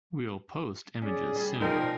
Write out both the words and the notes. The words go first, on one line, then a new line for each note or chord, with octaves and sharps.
We'll post images soon.
C#4 G#4 D5
G3
B2 F3 G#3 D#4 A#4 D5 G5 G#5